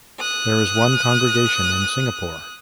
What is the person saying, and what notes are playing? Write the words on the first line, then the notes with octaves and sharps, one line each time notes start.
There is one congregation in Singapore.
D#6 F#6